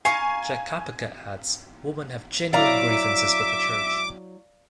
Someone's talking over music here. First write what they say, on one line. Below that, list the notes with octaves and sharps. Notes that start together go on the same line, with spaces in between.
Jack Kapica adds Women have genuine grievances with the Church.
F5 G#5 A#5 C#6
F#3 E4 D5 E5 F5 A#5 D6